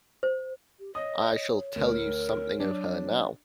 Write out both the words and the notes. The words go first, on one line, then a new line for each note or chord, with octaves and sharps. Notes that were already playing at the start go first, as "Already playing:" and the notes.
I shall tell you something of her now.
C5
G4
C#5 D#5 D#6
D2 A#4
F#3 D4